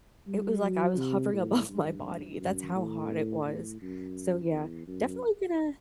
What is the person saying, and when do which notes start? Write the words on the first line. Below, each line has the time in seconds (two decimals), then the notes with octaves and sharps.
it was like I was hovering above my body, that's how hot it was. So, yeah, definitely gonna
0.27 G3
0.62 F#3
0.98 C3
1.33 A2
1.68 G2
2.39 F#2
2.75 A2
3.45 A2
3.82 F#2
4.52 E2
4.87 F#2